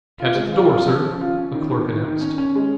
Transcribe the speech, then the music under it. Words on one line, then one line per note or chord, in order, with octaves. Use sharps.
"Cab's at the door, sir," a clerk announced.
F4
G#3
F4
F4
F3
C#4
F4
C#4
D#3
D#3
D#3
D#3
C#4
C#4
G#3